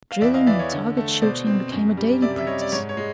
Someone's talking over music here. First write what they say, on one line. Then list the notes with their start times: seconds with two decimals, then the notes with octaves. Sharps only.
Drilling and target-shooting became a daily practice.
0.11 F5
0.21 E2 D5 E5
0.34 D#5 F5
0.46 E3 D5 E5
0.59 C#5 D#5
0.72 D3
0.97 A3
1.22 B2 C5 D5
1.47 C4
1.72 F#2
1.97 G3
2.22 C3 D5 E5
2.38 E5
2.46 G3 C#5 D#5
2.61 D5
2.72 G#2 C#5
2.89 C#5
2.97 G#3